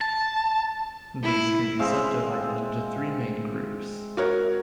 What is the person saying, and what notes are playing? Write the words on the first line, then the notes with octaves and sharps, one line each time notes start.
These can be subdivided into three main groups.
A5
E4
G#3 C4 E5 F5
F#4 A#4 C#5